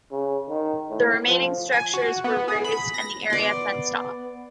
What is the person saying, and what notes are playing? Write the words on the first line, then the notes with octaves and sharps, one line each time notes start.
The remaining structures were razed, and the area fenced off.
C#3
D#3
A2
F3
G#5
F#4
B3
G#4
B5
A#6
B3 D5 C6